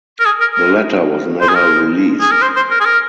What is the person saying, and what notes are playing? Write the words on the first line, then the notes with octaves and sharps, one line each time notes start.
The letter was never released.
A#4
G#4
A#4
A#4
C5
G#4
A#4
G#4
A#4
C5
C5
A#4
G#4
A#4